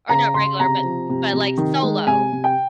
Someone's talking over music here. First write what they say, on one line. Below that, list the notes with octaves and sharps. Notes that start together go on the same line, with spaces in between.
Or not regular, but but, like, solo?
C#3 A#5
C#3 C6
C3 A#5
F3
C3
C3
D#3
G#3
C3 G#5
C3
G5